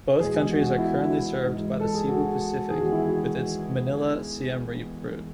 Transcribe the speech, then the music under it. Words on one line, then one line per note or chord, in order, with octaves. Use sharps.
Both countries are currently served by Cebu Pacific with its Manila-Siem Reap route.
E2 B2 G#3 G#4
G#4
F#4
F#4
E4
E4
G#2 E3 G#3
A4
G#4
F#4
E2 D#3 G#3 G#4
F#4
E4
F#4